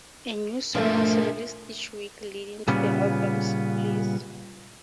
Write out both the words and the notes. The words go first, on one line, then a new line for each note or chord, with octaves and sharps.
A new song was released each week leading to the album's release.
F3 A3 D4 A#4 E5
A#2 C#3 G3 B3 C#4